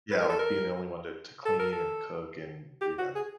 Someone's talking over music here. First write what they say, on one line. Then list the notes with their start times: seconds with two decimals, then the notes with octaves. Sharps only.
Yeah, like, being the only one to to clean and cook and, you know,
0.11 B4
0.21 A#4
0.29 A4
0.39 A#4
1.46 A4
1.59 A#4
1.72 A4
2.81 G4
2.98 F#4
3.15 G#4